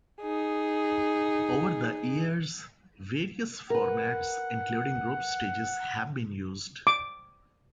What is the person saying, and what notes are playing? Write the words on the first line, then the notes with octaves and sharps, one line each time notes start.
Over the years, various formats, including group stages have been used.
D#4 G#4
A#4 B4 F#5
D6